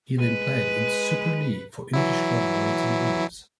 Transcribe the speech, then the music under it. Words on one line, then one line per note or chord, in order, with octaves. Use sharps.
He then played in Super League for English club Warrington Wolves.
G#3 B4 D#7
E3 F#3 E4